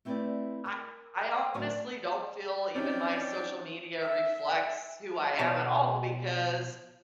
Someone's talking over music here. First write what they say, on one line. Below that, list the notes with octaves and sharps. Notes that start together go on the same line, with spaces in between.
I I honestly don't feel even my social media reflects who I am at all because
A3 C4 E4 B4 C5 D5
A#4
A2 D3 F#3 F#4 A#4 D5
C4 C#4 D#4 D5 G5
E5
B2 C5 C#5 F5 A5